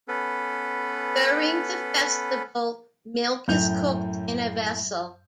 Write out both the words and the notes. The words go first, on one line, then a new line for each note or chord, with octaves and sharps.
During the festival, milk is cooked in a vessel.
B3 C#4 A4 B4
F#2 A2 G6 F7